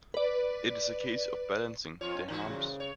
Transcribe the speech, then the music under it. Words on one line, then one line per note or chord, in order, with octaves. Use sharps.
It is a case of balancing the harms.
B4 D5
F2 F3 F4 C#5
C#4
A#2 D#3 E3 F#4
C2 C#3
C#5